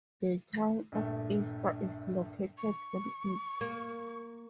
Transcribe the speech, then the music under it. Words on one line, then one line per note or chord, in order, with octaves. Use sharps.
The town of Istra is located on it.
A#1 G2 A3
C#6
A#3